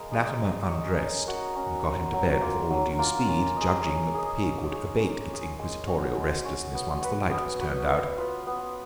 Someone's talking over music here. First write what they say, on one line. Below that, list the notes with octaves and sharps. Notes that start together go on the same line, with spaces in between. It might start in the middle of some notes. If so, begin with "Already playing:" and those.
Latimer undressed and got into bed with all due speed, judging that the pig would abate its inquisitorial restlessness once the light was turned out.
Already playing: G#3 A#4 F5
D#4 G#4 C#5
G#3
D#4 G#4 C#5
C#4
F#4 A#4
C#4
F#4 A#4
F#3
A#3 F4 A#4
F#3
A#3 F4 A#4
C#4
G#4 D#5
C#4
G#4 D#5
C#4
G#4 C#5
C#4
G#4 C#5
G#3
C#4 F#4 C#5
G#3
C#4 F#4 C#5
B3
F#4 B4
B3
F#4 B4
B3
F4 B4
B3